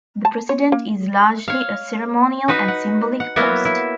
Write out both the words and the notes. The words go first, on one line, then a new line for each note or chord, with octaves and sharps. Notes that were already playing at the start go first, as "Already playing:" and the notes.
The president is largely a ceremonial and symbolic post.
A5
C#5
A#3
C#5 F5
D#4 F#4 B4
F#5
F#5
F#3 A#3 B3 E4 F#4 C#5
E4